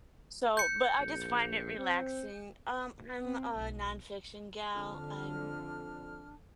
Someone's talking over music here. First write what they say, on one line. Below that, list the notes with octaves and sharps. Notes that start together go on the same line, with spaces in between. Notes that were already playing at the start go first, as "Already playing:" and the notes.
So but, I just find it relaxing um, I'm a nonfiction gal, I'm
G6 C#7
A#1
C4
C4
B1
F2 D3 F3 D4 F6